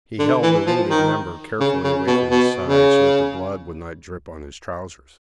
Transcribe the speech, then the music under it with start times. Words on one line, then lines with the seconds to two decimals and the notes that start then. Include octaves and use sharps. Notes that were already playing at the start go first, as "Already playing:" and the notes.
He held the wounded member carefully away from his side so that the blood would not drip upon his trousers.
0.19 D3
0.43 E3
0.67 F3
0.90 D#3
1.60 C#3
1.84 C#3
2.07 B2
2.31 B2
2.66 C#3